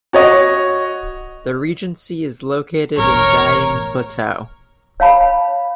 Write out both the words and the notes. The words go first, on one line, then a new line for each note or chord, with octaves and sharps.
The regency is located in Dieng Plateau.
F#4 C#5 D#5
E1 A1 A#4 C#5
C#5 F5 A5 B5